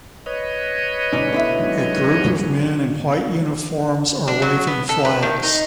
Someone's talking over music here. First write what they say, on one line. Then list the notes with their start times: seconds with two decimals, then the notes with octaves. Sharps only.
A group of men in white uniforms are waving flags.
0.26 B4 C#5 D#5
1.13 G2 B2 D3 C#4 D#4 D5
1.32 B2 D3 E4 E5
1.59 G#2 D#3 F#3
4.28 D4
4.42 F#3
4.67 B3
4.89 A4
5.05 B4
5.23 D#3
5.43 D#4